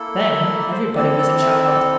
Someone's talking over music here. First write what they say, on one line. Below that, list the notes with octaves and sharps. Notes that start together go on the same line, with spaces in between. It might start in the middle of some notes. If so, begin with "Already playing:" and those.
Then, everybody was a child.
Already playing: A#3 E4 A4
E5
A#4
C5
C4 E4 A4 D5
D5
E5
D5